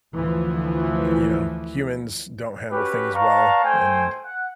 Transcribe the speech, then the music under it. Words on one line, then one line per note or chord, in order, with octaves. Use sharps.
uh, you know, humans don't handle things well and
D2 E3 F3
C#4 F#4 G4 B4
B4 D5 F5 A5 A#5 C#6
A3 C5 G5 G#5
F#5